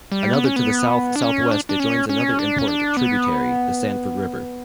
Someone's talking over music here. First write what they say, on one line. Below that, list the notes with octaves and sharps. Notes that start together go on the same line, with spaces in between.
Another to the south-southwest it joins another important tributary, the Sanford River.
G3
B3
C#4
B3
D4
C#4
D4
D4
C#4
C#4
D4
C#4
D4
B3